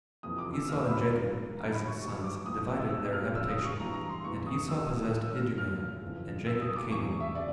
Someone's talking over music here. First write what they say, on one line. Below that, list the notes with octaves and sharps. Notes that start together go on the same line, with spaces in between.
How Esau And Jacob, Isaac's Sons Divided Their Habitation; And Esau Possessed Idumea And Jacob Canaan.
F2 C3 E3 D#6
D6
E6
D#2 D#3 F6
E6
B5
A#5
G#2 F3
F2 D3 F3 A#5
B5
C#6
F#2 D#3 C#6
D6
C2 A#2 F3 D#6
E6
F2 C3 F3 E6
F6
C#2 C#3 F3 E6
D#6
C#6
G2 E3 A#5
A#5
C6
E2 C3 E3 C#6
D#6
C2 C3 D#3 E6
E6
G2 D3 F3 E6
F6
D#2 C#3 F3 F6
F2 C#3 E3
C2 B2 E6
D#6
D6
E2 C3 E3 C#6
E5
C#3 D5